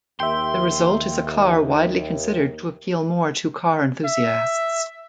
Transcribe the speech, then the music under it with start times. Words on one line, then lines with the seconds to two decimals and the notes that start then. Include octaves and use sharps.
The result is a car widely considered to appeal more to car enthusiasts.
0.20 D#2 E5 G5 C6
4.05 E5